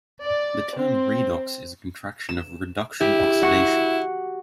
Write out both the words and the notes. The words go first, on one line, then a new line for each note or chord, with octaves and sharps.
The term "redox" is a contraction of "reduction-oxidation".
D5
C4
E7
E4 G4 D7
F#4 F#5 C#6